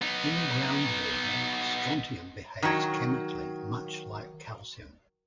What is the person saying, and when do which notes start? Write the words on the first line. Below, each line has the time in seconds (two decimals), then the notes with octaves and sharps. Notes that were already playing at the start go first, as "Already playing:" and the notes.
In groundwater strontium behaves chemically much like calcium.
0.02 B3 D#4
2.62 D#3 F#3